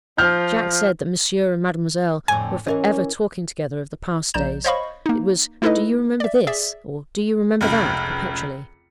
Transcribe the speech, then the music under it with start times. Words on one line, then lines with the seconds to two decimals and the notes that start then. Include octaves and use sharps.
Jacques said that Monsieur and Mademoiselle were for ever talking together of the past days,--it was 'Do you remember this?' or, 'Do you remember that?' perpetually.
0.18 F3 F6 G6
2.28 F2 A2 D3 G#5
2.67 E3 C#4 A#4 D#5
4.34 A#1 D5 A#5 G6 E7
4.65 C5 C#5 D#5 F5 B5 C#6
5.06 A#3 D#4
5.62 A3 D#4 E4 A4 B4 D#5
6.20 D5 E5
6.47 G#4 D5 E5
7.61 F1 C#2